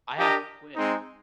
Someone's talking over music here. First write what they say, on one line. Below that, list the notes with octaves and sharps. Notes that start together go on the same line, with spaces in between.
I have to quit.”
D4 G4 A#4 D#5
G#3 C4 D#4